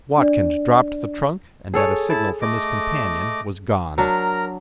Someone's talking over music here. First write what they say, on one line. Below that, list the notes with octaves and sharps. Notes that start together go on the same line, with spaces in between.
Watkins dropped the trunk and at a signal from his companion was gone.
D4 D5
G#4 A4 C#5
E4 A5
A3 D#5 D6
F#3 D4 A#4 A#5